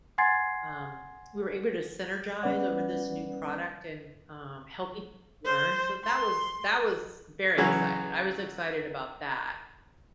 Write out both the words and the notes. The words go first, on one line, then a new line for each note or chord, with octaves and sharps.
um, we were able to synergize over this new product and, um, help each other learn, so, that was that was very excited. I was excited about that,
F#5 G#5 C6 G#6 A6 C7
G3 B3 C#4 B4 D5 F#5
C5
C6
C#3 E3 F#3 C#4